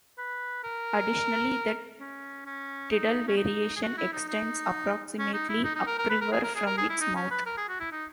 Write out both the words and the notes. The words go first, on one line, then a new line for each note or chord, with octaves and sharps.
Additionally, the tidal variation extends approximately upriver from its mouth.
B4
A#4
C#4
C#4
D#4
C#4
D#4
G#4
F#4
E4
D#4
D#4
C#4
D#4
E4
D#4
D#4
A#4
A#4
B4
A#4
G#4
A#4
G#4
A#4
G#4
E4
D#4
C#4
B4
A#4
G#4
F#4
E4
D#4